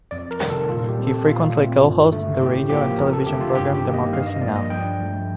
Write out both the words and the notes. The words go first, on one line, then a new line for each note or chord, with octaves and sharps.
He frequently co-hosts the radio and television program Democracy Now!
F2 D5
A#4
C3 D#3 G3
A4
A#2 F4
G4
G3 C4
A4
A#2 F4
A3 C4
G2
D3 A3
A2 G4
F3 A#3 G4
F2 A#4
A4
D3 A3 G4
F4
G2 G4
G4
D#3 A#3
D#5
G2 F5
D#5
F3 A#3 D5
D#5
G2 G5
F3 A3